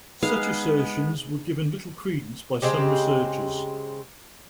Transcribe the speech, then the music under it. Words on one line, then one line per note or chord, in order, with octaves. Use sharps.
Such assertions were given little credence by some researchers.
G#3 B3 D#4 G#4 B4 F5
C#3 G#3 C4 G4